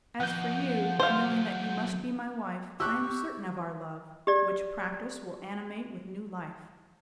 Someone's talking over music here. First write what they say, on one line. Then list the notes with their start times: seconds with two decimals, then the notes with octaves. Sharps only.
As for you, knowing that you must be my wife, I am certain of our love, which practice will animate with new life.
0.20 F3 D#5 F#5 G6
0.99 F#3 F4 C5 F5
2.80 G4 G5 C#6 E6 F#6
4.27 G4 D5